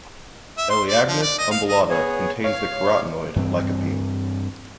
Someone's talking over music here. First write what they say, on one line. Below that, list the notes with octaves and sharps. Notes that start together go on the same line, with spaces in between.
"Elaeagnus umbellata" contains the carotenoid, lycopene.
E5
C6
D5
F3
D5
D#5
F5
D#5
B3 G#4 C#5
C#5 F5
G2 E3 C4